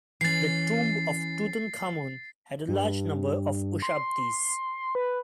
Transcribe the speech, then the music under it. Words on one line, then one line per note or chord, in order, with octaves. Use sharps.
The tomb of Tutankhamun had a large number of ushabtis.
E3 C#4 A6 C7
G2
C6
B4